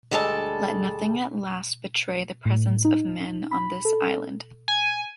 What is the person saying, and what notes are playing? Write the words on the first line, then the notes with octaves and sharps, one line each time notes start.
Let nothing at last betray the presence of men on this island!
D2 G3 G#3 A4 B4 A5
A2
D#4
B5
A4
G#5